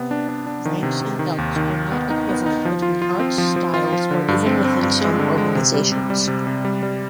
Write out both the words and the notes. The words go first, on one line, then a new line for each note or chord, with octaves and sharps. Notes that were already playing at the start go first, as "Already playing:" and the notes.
Rank and belts are not equivalent between arts, styles, or even within some organizations.
Already playing: C3 B3
D4
D4
D4
D#3
C3
C3
D#3
D#2
D#3
D#2
B3
D#4
B3
D#4
F3
F4
F4
C4
F3
F3
F4
F3
D3
G2
C4
C4
G2
G#3
D3
G#3
C3
G3
C3
G3
C3
C3
G3
G3